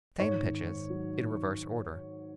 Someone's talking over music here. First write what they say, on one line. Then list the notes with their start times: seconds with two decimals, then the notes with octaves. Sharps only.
Same pitches in reverse order.
0.20 G#2 C#5
0.43 D#3
0.67 G#2
0.90 F#3